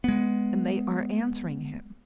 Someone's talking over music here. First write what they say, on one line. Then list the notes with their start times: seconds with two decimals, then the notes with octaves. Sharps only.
And they are answering him!
0.04 G#3 B3